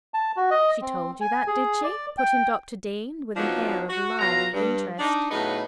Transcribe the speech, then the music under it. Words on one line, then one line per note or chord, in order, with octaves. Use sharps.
"She told you that, did she?" put in Dr. Dean, with an air of lively interest.
A5
F#4
D#5
C4
G#5
G#4
D5
G5
F3 F#3 B3 D4 D#4
F#4
B2 F#3 F4 A#5
G2
D4 D#4
A2 C#3 F#3 B3 D#4